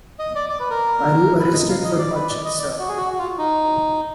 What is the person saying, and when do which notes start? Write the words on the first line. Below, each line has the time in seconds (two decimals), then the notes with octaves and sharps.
Are you arrested for much, sir?
0.19 D#5
0.35 D5
0.50 D5
0.60 B4
0.70 A#4
1.40 B4
1.54 D#5
1.69 F5
1.84 D#5
1.99 D5
2.15 B4
2.28 D5
2.45 D#5
2.59 D5
2.79 F#4
2.89 G#4
2.97 F#4
3.13 F#4
3.19 F4
3.38 D#4